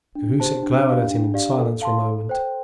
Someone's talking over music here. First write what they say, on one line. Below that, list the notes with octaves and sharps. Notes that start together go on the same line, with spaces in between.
Cahusac glowered at him in silence for a moment.
D4
G4 C5 A5
D4
G4 F5
D4
G4 D5 F5
A4
F5 A5 C6
A4
C5 G5